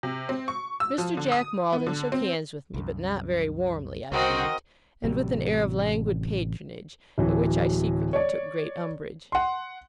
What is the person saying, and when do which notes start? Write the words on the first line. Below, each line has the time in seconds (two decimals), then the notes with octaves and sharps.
Mr. Jack Maldon shook hands with me; but not very warmly, I believed; and with an air of languid patronage, at which I secretly took great umbrage.
0.03 C3
0.29 C4
0.48 C#6
0.80 E6
0.98 F3
1.17 D3
1.32 D#6
1.73 B3
1.87 D3
2.12 C4
2.74 C2 F#2
4.12 C2 C4 F#4 A#4 D#5
5.04 A1 C3 F#3 G3
7.18 D1 E3 F#3
8.13 C#5 D5
9.32 F#5 C6